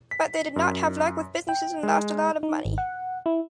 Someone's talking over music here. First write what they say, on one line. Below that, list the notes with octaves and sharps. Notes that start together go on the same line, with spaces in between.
But they did not have luck with businesses and lost a lot of money.
B6
F#2
G5
G#3
D#4
G#1
F#5
E4